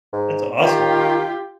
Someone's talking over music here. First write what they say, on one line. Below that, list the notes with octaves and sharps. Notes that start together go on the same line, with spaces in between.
That's awesome.
G#2
D#3 F4 G4